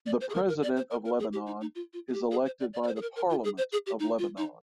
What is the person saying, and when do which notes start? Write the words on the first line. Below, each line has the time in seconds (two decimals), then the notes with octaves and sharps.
The President of Lebanon is elected by the Parliament of Lebanon.
0.06 D5
0.21 C5
0.30 G#4
0.34 A#4
0.48 A#4
0.63 D5
0.77 C5
0.91 A#4
1.05 A#4
1.19 G#4
1.33 G4
1.46 D#4
1.61 D#4
1.75 F4
1.93 F4
2.08 G#4
2.13 G4
2.31 G#4
2.46 C5
2.60 D5
2.73 D5
2.84 D5
2.87 C5
2.96 G#4
3.02 A#4
3.16 A#4
3.30 F4
3.44 G#4
3.58 C5
3.72 G#4
3.86 G4
3.99 D#4
4.19 F4
4.38 D#4